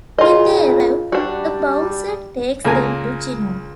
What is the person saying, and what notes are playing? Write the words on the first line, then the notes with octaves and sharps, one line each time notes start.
When they arrive, a bouncer takes them to Gino.
A#2 C#3 F4 D#5
G3 D4 F#4
C#2 A#3 A#4 G#5